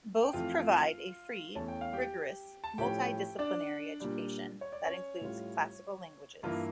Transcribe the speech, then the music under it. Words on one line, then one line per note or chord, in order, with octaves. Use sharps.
Both provide a free, rigorous, multi-disciplinary education that includes classical languages.
G5
F2 E3 A3 F4 F5
E2 E3 A3 C#4 A5
G5
F5
G4 G5
A5
A2 F3 C#4 G4 G5
D4 D5
A#2 G3 D4
C#5
D5
C#4 C#5
A2 G3 C#4 F4
G2 E3 A#3 E4 F4